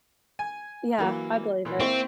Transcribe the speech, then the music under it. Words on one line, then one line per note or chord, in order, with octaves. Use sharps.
Yeah, I believe it.
G#5
E3 F#3 A#3
A#2 E3
A#3 C4 E4 C#6